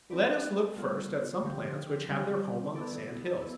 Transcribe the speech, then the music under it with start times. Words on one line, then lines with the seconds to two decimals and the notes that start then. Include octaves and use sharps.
Let us look first at some plants which have their home on the sand-hills.
0.10 A3 C4 G4 B4 D5
0.77 G3 B3 F4
1.42 D3 F3 C4 G4
2.09 D3 G3 C4 G4
2.75 B3 E4 A4 D5
3.41 B3 E4